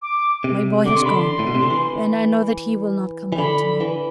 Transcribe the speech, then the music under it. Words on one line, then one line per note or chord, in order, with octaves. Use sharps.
My boy has gone, and I know that he will not come back to me.
D6
C3
D3 D6
C3 C6
D3 B5
C6
A2
B2
C3
D3
E3
E3
D3 B5
E3